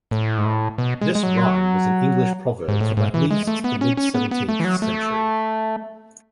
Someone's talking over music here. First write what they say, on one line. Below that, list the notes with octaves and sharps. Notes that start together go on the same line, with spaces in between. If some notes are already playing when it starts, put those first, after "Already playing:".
This rhyme was an English proverb from at least the mid-seventeenth century.
A2
G#2
A2
B2
G#3
G#3
F#3
G#2
A2
G#2
E3
G#3
A3
B3
C#4
C#4
B3
B3
A3
E3
F#3
A3